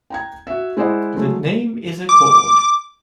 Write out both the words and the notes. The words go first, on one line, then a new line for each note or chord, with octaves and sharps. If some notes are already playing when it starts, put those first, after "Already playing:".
The name is a cord.
G5 A#5 G#6
F#4 E5
G#3 E4 C5 D5 D#5 F#5
F#3 G#3 A3
D6